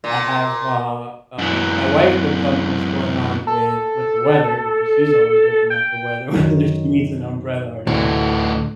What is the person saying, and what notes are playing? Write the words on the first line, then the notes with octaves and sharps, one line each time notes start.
I have a, um my wife will tell me what's going on with with the weather, because she's always looking at the weather whether she needs an umbrella or not.
A#2
F#2 E3
A4
G5
F#2 D#3
D2 A2 D3 E3